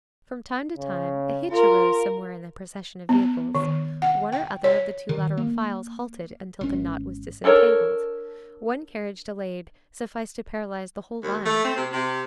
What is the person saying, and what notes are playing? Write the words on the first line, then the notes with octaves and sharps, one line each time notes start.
From time to time, a hitch arose somewhere in the procession of vehicles; one or other of the two lateral files halted until the knot was disentangled; one carriage delayed sufficed to paralyze the whole line.
C#3
F4 A#4
B3
D#3
F#5
G5
C#5
D#3
A#3
G#1 C#4
D4 A4 A#4 C#5
D#2
A3
C4
C3
C3